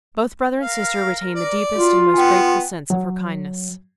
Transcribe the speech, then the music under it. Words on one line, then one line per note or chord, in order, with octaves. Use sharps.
Both brother and sister retained the deepest and most grateful sense of her kindness.
A#4 F5
D5
F4 F#4
B3 G5 G#5
F#3